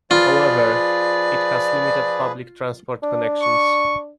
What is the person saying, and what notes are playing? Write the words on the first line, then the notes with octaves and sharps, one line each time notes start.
However, it has limited public transport connections.
F3 F4 G#4 B4 D5
D4
C#6